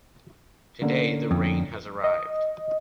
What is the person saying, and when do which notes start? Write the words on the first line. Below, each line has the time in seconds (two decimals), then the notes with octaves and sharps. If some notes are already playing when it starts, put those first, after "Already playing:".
Today, the rain has arrived.
0.82 D3 A#3 C#4
1.31 F2
2.04 D#5